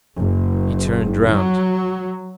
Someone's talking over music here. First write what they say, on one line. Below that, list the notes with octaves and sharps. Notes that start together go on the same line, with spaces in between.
He turned round.
F#1
F#3